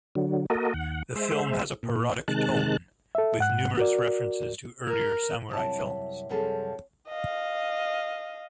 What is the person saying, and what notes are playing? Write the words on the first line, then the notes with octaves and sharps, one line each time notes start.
The film has a parodic tone, with numerous references to earlier samurai films.
D3 F#3
A#3 F#4 A4 A#4 D#5
D#2 F#5
G#3 C5 E5
A#2
C3 D#3 G#3 A5 F#6
A4 E5
G#2 F#5 F#6
F#4 A#4 D5
A#4
F#2 C3 G3 E4 A5
F#2 C3 F3 G3 G#4 A4
D#5 F5